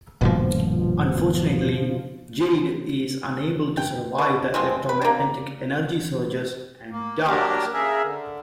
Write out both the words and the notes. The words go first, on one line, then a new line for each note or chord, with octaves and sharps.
Unfortunately, Jade is unable to survive the electromagnetic energy surges and dies.
D#1 G2 B2 F3 A#3
G5
B2
F3 G#3 C4
B4
A#3 D4
A#3
F#3 A#3 D4 G4 A#4
C#3 G#4 A#4 E5
D3